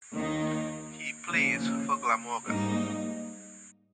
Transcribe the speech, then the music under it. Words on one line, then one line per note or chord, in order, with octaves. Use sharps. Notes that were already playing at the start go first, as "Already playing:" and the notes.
He plays for Glamorgan.
D#2 D#3 A#3 D#4
D#2 C#3 F3 A#3
G#2 G3 A#3 D#4